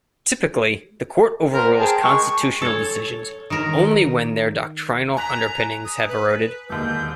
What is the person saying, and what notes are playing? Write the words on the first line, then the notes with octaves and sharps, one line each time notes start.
Typically, the Court overrules constitutional decisions only when their doctrinal underpinnings have eroded.
B3 A#4 C5
G#4 G5 A5
G#3 G#4 C#6
A4 C#5
D#3 A#4
G#5 A#5 F#6 B6
D#6
B4
E1 D#2 G6